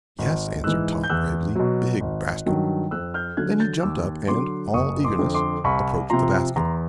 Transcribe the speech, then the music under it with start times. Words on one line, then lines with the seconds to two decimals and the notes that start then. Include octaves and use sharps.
"Yes," answered Tot, gravely, "big basket!" Then he jumped up and, all eagerness, approached the basket.
0.19 G#1
0.64 G#2 E3 E6 F#6
1.04 G6
1.10 E2 E6 F#6
1.55 B2 F#3
2.00 G#1
2.46 G2 D#3 F#3
2.91 F2 E6 F#6
3.14 F6 G6
3.37 D3 F#3 F#6 G#6
3.60 G6 A6
3.82 D#2 D6 E6
4.28 D3 F#3 C6 D6
4.74 F#1 C#6 D#6
5.04 C6 D6
5.19 F2 D3
5.34 C6 D6
5.64 C2 B5 C#6
6.10 C3 F3 A#5 C6
6.56 E2 A#5 C6